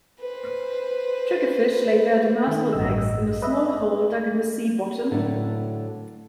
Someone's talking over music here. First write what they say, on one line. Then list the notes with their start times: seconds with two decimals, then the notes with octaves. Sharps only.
Triggerfish lay their demersal eggs in a small hole dug in the sea bottom.
0.20 B4 C5
2.48 D#3 A3
2.73 A1 G2 D#5 E6
3.42 B4 D#5 E5
5.11 A2 D3 F#3 A3 D4